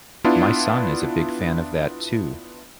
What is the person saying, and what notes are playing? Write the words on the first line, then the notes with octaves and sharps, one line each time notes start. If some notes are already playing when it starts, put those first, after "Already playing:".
My son is a big fan of that too.
B3 D4 E4 F4